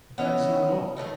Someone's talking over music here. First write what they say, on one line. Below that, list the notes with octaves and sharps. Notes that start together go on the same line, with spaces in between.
But that is not all.
B3 C#4 D#5 E5
D#3 F3 A3 D#4